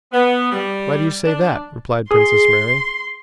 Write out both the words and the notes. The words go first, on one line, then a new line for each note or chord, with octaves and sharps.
"Why do you say that?" replied Princess Mary.
B3
G3
D4
G#4 C6